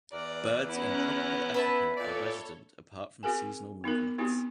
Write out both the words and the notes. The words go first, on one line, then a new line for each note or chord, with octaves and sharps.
Birds in tropical Africa are resident apart from seasonal movements.
E2 D5 A#5
B3 C#4 E4 A#5 F#6
B4 E5 A5
A#2 A4 C#5 D5
C4 F#4 G#4 A#4 G#5
B3 D#4 F#4 A#4
B3 C4 D#4 E4 F#4 G4